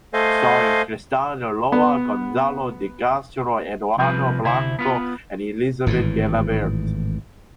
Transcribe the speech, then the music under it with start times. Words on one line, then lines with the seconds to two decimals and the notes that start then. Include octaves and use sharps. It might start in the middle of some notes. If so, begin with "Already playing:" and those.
Starring Tristán Ulloa, Gonzalo de Castro, Eduardo Blanco and Elisabet Gelabert.
0.13 A3 A4 C5 D#5 F5 G#5
1.72 B3
3.97 C2 C3 F3 B4
4.43 D2 C3 E4 C5
4.79 B3 F4 B4
5.86 G#1 A2 C#3 E3